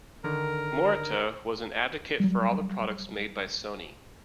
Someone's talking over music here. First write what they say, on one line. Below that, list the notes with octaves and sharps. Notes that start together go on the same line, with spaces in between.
Morita was an advocate for all the products made by Sony.
D3 D#3 A#4
F#3 G3